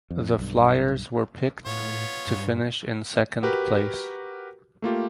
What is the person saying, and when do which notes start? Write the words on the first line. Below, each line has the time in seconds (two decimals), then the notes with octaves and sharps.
The Flyers were picked to finish in second place.
0.10 F2
0.38 B1 G2
1.66 A2 B3 F4 C#5
2.27 G2
3.43 F#4 G4 A#4 B4
4.82 A3 A#3 F4 G4